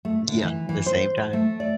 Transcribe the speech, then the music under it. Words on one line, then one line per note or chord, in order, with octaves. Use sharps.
Yeah. The same time.
A3
D3
E3
E3
C5
C5
A3
D5